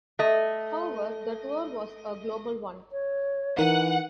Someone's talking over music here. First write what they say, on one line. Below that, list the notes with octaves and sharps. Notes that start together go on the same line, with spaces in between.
However, the tour was a global one.
A3 D#5
C#5
E3 D#4 A#4 F#5